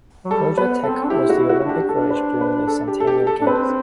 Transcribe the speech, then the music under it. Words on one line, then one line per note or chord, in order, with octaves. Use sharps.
Georgia Tech was the Olympic Village during the Centennial Games.
F#3
G3 A4
B3 B4
C4 A4
D4
E4 G4
F#4
E4
F#4
D4
G4
D4 A4
B4
C5
B4
A4
G4
A4
G4
A4
D4
C4 B4